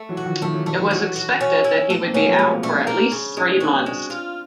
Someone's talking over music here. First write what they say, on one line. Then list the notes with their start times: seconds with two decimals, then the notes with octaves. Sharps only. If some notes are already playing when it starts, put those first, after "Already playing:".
It was expected that he would be out for at least three months.
Already playing: A3
0.09 E3 F#3
0.17 F#4
0.26 D#3 F3
0.42 D#3 F3 A3
0.54 E3 F#3
0.66 F3 G3 A3
0.79 D#3 F3
0.91 E3 F#3 F#4
1.16 F#4
1.41 C#4
1.64 E4
1.89 A3 B3 A4
2.02 A#3 C4
2.13 A3 B3 C#4
2.26 F3 G3
2.38 F3 F#3 G#3
2.51 A#3 C4
2.63 A3 C4 D4
2.75 C4 D4
2.87 A#3
3.12 C#3
3.37 G#3 C#4 D#4
3.49 C4 D4
3.60 F#4
3.73 B3 C#4
3.86 G#3 C4 D4
4.10 F4